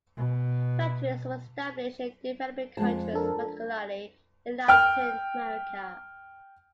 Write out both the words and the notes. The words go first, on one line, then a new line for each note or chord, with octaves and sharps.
Factories were established in developing countries, particularly in Latin America.
B2
F2 G#3 A5
D4 A4 A#4
G5 F6